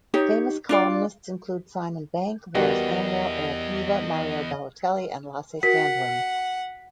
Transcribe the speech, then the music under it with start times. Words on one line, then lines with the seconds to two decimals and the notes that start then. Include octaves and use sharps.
Famous columnists include Simon Bank, Lars Anrell, Erik Niva, Mario Balotelli and Lasse Sandlin.
0.14 D#4 G4 C#5
0.69 D4 F4 D5
2.55 E2 G3 B3 F#4 G4 A#4 D#5
5.63 F#4 A#4 F#5 B6